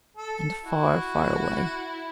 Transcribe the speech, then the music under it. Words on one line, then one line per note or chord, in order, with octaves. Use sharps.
And far, far away.
A4
E4 F#4